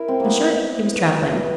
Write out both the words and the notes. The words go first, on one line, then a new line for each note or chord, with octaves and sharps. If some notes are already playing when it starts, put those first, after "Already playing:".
In short, he was travelling.
Already playing: E4 A#4
C4
A#3 B3
B4